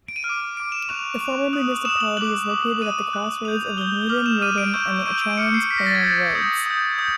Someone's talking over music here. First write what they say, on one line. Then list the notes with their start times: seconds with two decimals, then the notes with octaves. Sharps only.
The former municipality is located at the crossroads of the Moudon-Yverdon and Echallens-Payerne roads.
0.08 D7
0.16 D#7
0.23 F6 D7
0.29 D6
0.57 D6 F6 D7
0.72 E7
0.89 C#6 F#6 F7
1.20 C#6 F#6 F7
1.53 D#6 F#6
1.85 D#6 F#6 E7
2.00 F#7
2.17 D6 F#6 F#7
2.50 D6 F#6
2.81 D#6 F#6 D#7
3.13 D#6 F#6
3.45 D#6 G6 F7
3.61 F7
3.77 D#6 G6 G7
4.09 D6 F6 F#7
4.26 E7
4.41 D6 F6 D#7
4.58 D7
4.74 C#6 E6 G6 D7
5.06 C#6 E6 G6 D7
5.21 D7
5.37 D6 F6 C#7
5.54 C7
5.70 D6 F6 B6
5.78 A#6
5.86 A6
5.95 G#6
6.02 D#6 G6 A6
6.35 D#6 G6
6.66 D#6 G6
6.98 D#6 G6